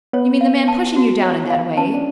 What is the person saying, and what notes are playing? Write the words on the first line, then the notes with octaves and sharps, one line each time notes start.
"You mean the man pushing you down in that way?"
B3 C#5
F5
A5
F#4
C#5
F5
C#4 A5
D4